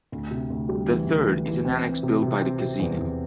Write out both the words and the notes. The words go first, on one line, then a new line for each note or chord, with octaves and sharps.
The third is an annex built by the casino.
D2
C3
D2
G3
E3
D2
E3
E3
C4
C4
C3
C3
C4
C3
E2
E2